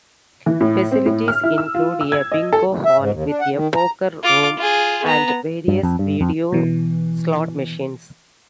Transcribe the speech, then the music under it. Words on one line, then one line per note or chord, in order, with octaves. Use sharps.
Facilities include a Bingo Hall, with a Poker Room and various video slot machines.
E3
A2
C4
A2
F6
E4
E6
F4
E6
G#6
D#5
A4
E5
G#2
D#2
D4
F#5
D#3
A#5
F4 D6
F4 G#4
B3 A#5
G2
F2
G2
F2
B2 E3